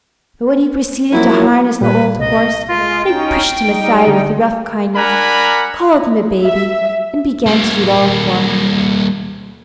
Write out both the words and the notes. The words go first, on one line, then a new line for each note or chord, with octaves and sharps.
But when he proceeded to harness the old horse, they pushed him aside with rough kindness, called him a baby, and began to do it all for him.
F3 F#3 A#3 E4
A#2 G3 B4
C2 D#5
G#3 F4
C#4 D#4 G5
G3 D#4
D3
D4 A#4 F#5 G#5 A#5 B5
E5
G3 A#3